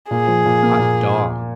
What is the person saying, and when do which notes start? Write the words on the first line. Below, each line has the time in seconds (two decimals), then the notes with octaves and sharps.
Hot dog!
0.10 A#2 G#4
0.27 F3
0.45 A#2
0.63 A#3
0.79 A#2